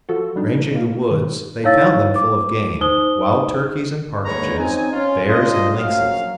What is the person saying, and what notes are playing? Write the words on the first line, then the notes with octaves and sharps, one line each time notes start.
Ranging the woods, they found them full of game, wild turkeys and partridges, bears and lynxes.
F3 F#4 A4
G3 D4 D#4
B2 A#3
D#3
D#4 E4 C#5 F5 E6 A6
D6
D#4 C5 D#6 G7
D#2 D3 G#3 B4 C#5 A#5
C4 C#4 D#4 G#5
C#4 F4
C#4 D4 F4 C5 D#5
A#1 F#2 F#3 F5